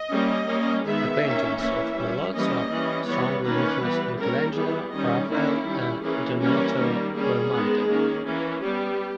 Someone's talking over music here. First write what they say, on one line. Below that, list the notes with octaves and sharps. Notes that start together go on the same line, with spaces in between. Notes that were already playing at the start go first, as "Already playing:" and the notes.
The paintings of Melozzo strongly influenced Michelangelo, Raphael and Donato Bramante.
Already playing: D#5
G3 A#3 C#4
G3 A#3 C#4
D#3 G#3 B3 E5
D#3 A#3 C#4
E3 A#3 C#4 E5
G3 C#4
E3 G3 A#3 C#4 D#5
E3 G3 C#4
E3 G3 B3 C#5
D#3 A#3 C#4 B4
E3 G3 B3
G3 A#3 C#4 A#4
E3 G3 B3 G#4
D#3 G3 C#4 D#5
D#3 A#3 C#4 E4
G3 C#4
E3 A#3 C#4 G#4
E3 G3 A#3 C#4 A#4
D#3 G3 A#3
G3 A#3 C#4 G#4
D#3 G#3 B3
D#3 A#3 C#4
E3 A#3 C#4
G3 B3 G4